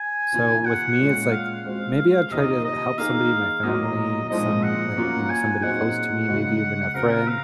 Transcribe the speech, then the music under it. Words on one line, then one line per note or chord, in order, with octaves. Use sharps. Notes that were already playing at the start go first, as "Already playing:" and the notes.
So with me, it's like, maybe I'd try to help somebody in my family, some, like, you know, somebody close to me, maybe even a friend,
Already playing: G#5
C3 D#3 A#3 F4
F#5
A#2 G#3 C#4 F4 G#4
F5
G#3 C4 F#4
C3 D#3 A#3 F4 D#5
D#5
D#3 A#3 D#4 G#4 F5
A#2 F#3 A#3 D#5
A#2 F3 G#3 C4 D#4 D#5
F#5
F#3 A#3 C#4 F4
G#5
A#2 F#3 C4 D#4 G#4 F#5
C#3 G#3 D#4 F#4
C#3 F#3 C4 A#4
F5